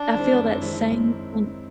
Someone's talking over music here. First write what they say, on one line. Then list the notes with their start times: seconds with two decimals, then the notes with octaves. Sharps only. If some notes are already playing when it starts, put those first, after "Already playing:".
I feel that same thin
Already playing: D4
0.14 D#3 G#3 C4 E4
0.38 F#2
0.62 D#3 G#3 C4 E4